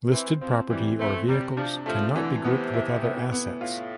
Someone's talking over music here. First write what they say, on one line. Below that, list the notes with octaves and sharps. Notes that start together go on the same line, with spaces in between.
Listed property or vehicles cannot be grouped with other assets.
E3 C4
F3 C4
E3 G3
A3 C4
C3 G3
F3 D4
F3 A3
D3 E3
C3 B3
E4
B3
B3
A2 F4